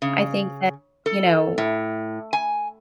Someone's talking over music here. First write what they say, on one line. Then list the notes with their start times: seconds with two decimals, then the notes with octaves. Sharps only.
I think that, you know,
0.02 C#3
1.06 A4
1.58 A2
2.33 G#5